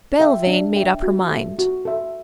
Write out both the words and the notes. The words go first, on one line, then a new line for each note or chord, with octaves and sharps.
Belvane made up her mind.
A4 E5 G5
D4
A4 E5 G5
F#4
A4 E5
F#4
A4 E5